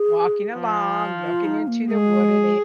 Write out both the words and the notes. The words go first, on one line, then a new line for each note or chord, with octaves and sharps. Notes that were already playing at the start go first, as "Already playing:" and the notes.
walking along, looking into the wooded areas,
Already playing: G#4
F3
F4
D#4
A#3
G#3 G#4